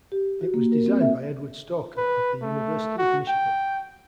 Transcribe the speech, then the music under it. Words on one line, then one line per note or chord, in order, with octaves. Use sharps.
It was designed by Edward Stalker of the University of Michigan.
G4
F#4
A#3
A#4
C4
E5
B4
A3
F#4
G5